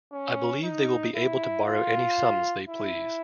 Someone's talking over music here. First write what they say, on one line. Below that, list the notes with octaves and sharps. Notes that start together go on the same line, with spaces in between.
I believe they will be able to borrow any sums they please.
C#4
D#4
E4
F4
E4